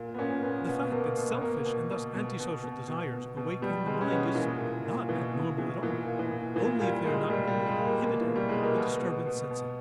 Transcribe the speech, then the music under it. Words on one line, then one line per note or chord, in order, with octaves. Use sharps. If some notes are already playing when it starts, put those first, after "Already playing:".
The fact that selfish and thus antisocial desires awake in the mind is not abnormal at all; only if they are not normally inhibited, the disturbance sets in.
Already playing: A#2
B3
A#2 C#4
A#2 B3
B2 B3
B2 A#3
B2
B3
B2 A#3
B2
B2
B2
B2
B2
B2
B2
B2
B2 G3
B2 G#3
C#4
B2 B3
A#2 E3
A#2
A#2
B2 E3
B2
B2 E3
A#2 E3
A#2
E3
A#2
A#2 E3
A#2 G3
A#2 G#3
A#2 G3
G3
A#2
G#3
A#2
A#3
B2 A#3
E3
B2
G3
B2 G#3
A#3
B2 B3
B2
B2
B2